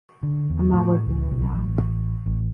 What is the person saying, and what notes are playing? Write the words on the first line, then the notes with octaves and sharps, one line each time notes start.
I’m not working right now.
D3
E2
A2
C#2
B1
A1
A1